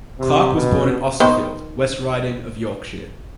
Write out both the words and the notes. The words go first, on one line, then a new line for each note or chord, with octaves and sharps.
Clarke was born in Austerfield, West Riding of Yorkshire.
C3
B2
D#3 B3 C5